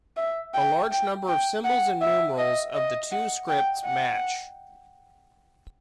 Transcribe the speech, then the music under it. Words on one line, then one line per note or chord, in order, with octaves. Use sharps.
A large number of symbols and numerals of the two scripts match.
E5
G5
G5
G5
F#5
E5
D#5
D#5
F#5
G5
F#5